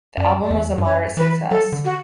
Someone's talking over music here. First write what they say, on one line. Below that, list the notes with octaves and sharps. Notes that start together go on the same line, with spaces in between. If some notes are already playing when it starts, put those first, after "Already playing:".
The album was a moderate success.
F#2 D5
D5
E2 E5
G2
F#2 C#5
E3 B4
F#3 A4
D3
F#4